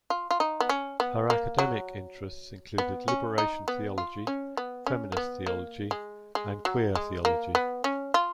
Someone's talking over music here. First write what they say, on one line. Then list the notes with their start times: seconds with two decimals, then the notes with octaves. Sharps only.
Her academic interests included liberation theology, feminist theology and queer theology.
0.10 F4
0.31 F4
0.40 D#4
0.60 B3
0.69 C#4
1.00 B3
1.30 A#3
1.59 F#3
2.78 B3
3.08 C#4
3.38 D#4
3.68 B3
3.98 F4
4.27 C#4
4.57 B3
4.87 C#4
5.12 A#3
5.17 B3
5.47 A#3
5.91 G#3
6.35 G#3
6.65 F#3
6.95 G#3
7.25 A#3
7.55 B3
7.84 C#4
8.14 F4